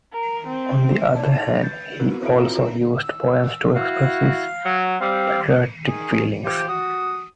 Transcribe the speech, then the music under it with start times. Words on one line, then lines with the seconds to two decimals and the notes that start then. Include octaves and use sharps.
On the other hand, he also used poems to express his patriotic feelings.
0.13 A#4
0.47 C4
1.15 D#4 C#5 D5 A5
1.62 B4 G6 A6
1.99 B3 C4 E4 F#4 A#4 B4
2.22 C4 E4 F#4 A4 B4 D7
2.39 F4 A4 C#5 E5 A#5 D7
2.55 F4 A4
3.03 E6
3.74 E4 F#4 F5
4.64 F#3
5.00 G3 C4 F5
5.86 D#3 G#4
6.45 F4 G4 C5
6.68 F#4 D#6